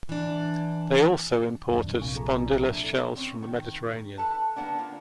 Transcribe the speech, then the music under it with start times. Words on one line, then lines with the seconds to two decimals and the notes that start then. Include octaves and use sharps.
They also imported spondylus shells from the Mediterranean.
0.09 E3 D4
1.71 D#1 F#2 D4
2.00 A#1 C3 A#3 F4 G#5 C#6
2.15 G#4 A4 A#5
2.45 D4 E4 D5
2.58 A4 E5
3.15 C4 C#4
3.42 D#3
4.18 A4 B4 A5
4.56 D3 G3 A#3 B3 D4
4.79 A#3 F4